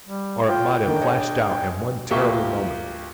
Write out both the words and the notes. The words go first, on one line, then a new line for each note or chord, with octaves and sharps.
Or it might have flashed out in one terrible moment.
G3
F4 G5
D3 D#3 A#3 D4
G#4 C#5 D#5
D2 A#3 F4 G4 E5 C#6